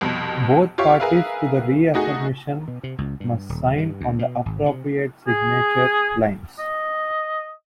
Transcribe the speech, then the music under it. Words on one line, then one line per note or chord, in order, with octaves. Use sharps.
Both parties to the reaffirmation must sign on the appropriate signature lines.
C2 F2 B2
F4 G4 C#5 E5 F5
G#4 A#4 B4 E5 F5
A3 D#4 F#4 G#4
B2
C3
C#2
G2
D#1
G2
D2
B2
G#1
C3
G#4
D#5